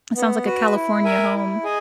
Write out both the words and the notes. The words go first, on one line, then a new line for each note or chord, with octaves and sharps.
It sounds like a California home.
B3
F#4 B4
E4
A#4 E5 G#5
E4
G#4 D#5 G#5